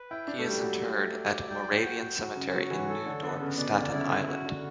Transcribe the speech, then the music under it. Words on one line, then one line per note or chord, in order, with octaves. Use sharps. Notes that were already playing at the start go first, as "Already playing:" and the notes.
He is interred at Moravian Cemetery in New Dorp, Staten Island.
Already playing: B4
E4 G5
D4
A3
G3 G4
F#3
G4
D5
G5
F#4
F#3 F#4
C#3
F#3 C#5
E3
A4
D3
D3 B3
C#3
B2 D5
D3
C#3 E4
C#3 F#4
D3